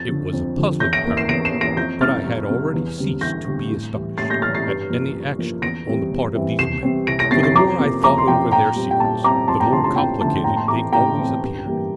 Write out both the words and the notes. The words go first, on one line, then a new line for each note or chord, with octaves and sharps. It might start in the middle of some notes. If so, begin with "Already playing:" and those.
It was a puzzling paragraph, but I had already ceased to be astonished at any action on the part of these men, for the more I thought over their secrets, the more complicated they always appeared.
Already playing: F2 A6
D3 F3
F2
D3 F3
E2 G6 A#6
A#6 D7
E3 A#3
C7 E7
E2 A#6 D7
C7 E7
E3 A#3
A#6 D7
F2 G6 A#6
C3 G3 F6 A6
F2
C3 G3
E2
D3 G3 C4
E2 G6 A#6
D3 G3 C4
A2
E3 G3
A2 A6 C7
G6 A#6
E3 G3 F6 A6
A6 C7
G2
F3 A#3
G2
F3 A#3
E2 A#6 D7
E3 G3 C4
E2
E3 G3 C4
C2 C7 E7
C3 E3 G3 C4
C2 A#6 D7
A#6 D7
C3 E3 G3 C4 A6 C7
A6 C7
F2 A#5 D6
C3 F3 A#3
F2 A#5 D6
C6
C3 F3 A#3 G5 A#5
A#2 G5 A#5
G3 C4
G5
A#2 A5
G3 C4 A#5 D6
F2 A5 C6
G5 A#5
D3 F3 A3 A5 C6
A5 C6
F2 G5 A#5
D3 F3 A3 A5
A2 G5 A#5
A5 C6
E3 A3 C4 A#5 D6
A2 G5 A#5
E3 A3 C4
G2
E3 G3 A#3